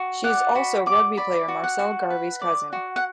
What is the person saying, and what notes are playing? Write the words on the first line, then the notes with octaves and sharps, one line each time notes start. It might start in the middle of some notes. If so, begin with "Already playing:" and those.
She is also rugby player Marcel Garvey's cousin.
Already playing: F#4
D5 F#5
F#4 B5
D5 D6
D5 B5
F#4
F#5
F#4
B4
D5
F#4
F#5